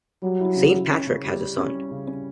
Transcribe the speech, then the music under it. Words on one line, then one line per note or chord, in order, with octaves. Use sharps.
Saint Patrick has a son.
F#3 G3
E4
C#3
E4
C#4
C#3
G3
G3
C#4
G3
C#3
C#4